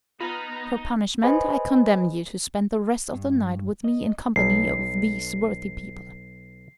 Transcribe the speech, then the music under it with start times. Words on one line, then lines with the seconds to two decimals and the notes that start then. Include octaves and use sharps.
For punishment I condemn you to spend the rest of the night with me in company of these worthy people.
0.20 B3 D#4 F4 A#5 B5 D#6 F6
1.23 G#4 B4 C5 D#5 G#5 B5
3.14 G2
3.84 D#5
4.36 B1 C7